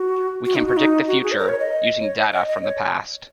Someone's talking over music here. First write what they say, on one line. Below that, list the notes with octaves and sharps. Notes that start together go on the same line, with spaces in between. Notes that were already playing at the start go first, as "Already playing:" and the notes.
We can predict the future, using data from the past.
Already playing: F#4
F#4
D#4
F#4
D#4
F#4
G#4
C#5
A#4
C#5
D#5
C#5
D#5
D#5
C#5